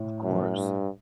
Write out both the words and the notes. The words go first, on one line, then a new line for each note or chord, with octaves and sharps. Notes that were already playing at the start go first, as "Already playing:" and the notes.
Of course.
Already playing: A2
F#2
G2